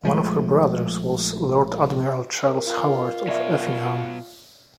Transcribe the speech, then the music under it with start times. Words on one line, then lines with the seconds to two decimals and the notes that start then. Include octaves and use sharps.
One of her brothers was Lord Admiral Charles Howard of Effingham.
0.04 A#1 F3 G#3 A3
2.45 A#4
2.67 F4
3.27 B2 C#5 D5 E5